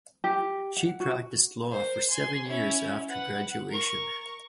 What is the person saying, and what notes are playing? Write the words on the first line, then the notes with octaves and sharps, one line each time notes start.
She practiced law for seven years after graduation.
G4
F#5
F#4
A#4 C5
G#5 C6
C#4 E4
B4 F#5
A#4 C#6